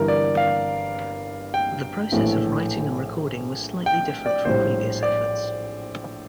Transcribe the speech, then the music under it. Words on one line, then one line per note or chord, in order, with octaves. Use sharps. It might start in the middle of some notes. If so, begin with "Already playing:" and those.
The process of writing and recording was slightly different from previous efforts.
Already playing: G1 G2 E3 A#4
D5
F5
G5
A#1 A2 E3 A3
G5
D5
A#1 A2 G3 C5
D5